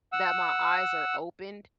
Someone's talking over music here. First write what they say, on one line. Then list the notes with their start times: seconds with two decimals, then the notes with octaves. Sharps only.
that my eyes are opened,
0.12 F#5 E6